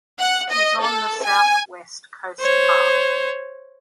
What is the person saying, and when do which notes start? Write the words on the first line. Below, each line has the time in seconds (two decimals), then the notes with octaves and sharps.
It is on the South West Coast Path.
0.19 F#5
0.51 D#5
0.82 A4
1.22 G#5
2.40 C5 C#5